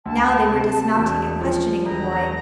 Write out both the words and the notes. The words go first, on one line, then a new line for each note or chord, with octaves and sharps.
Now they were dismounting and questioning the boy.
D2 A5
C3
E1
F3
E1 A#5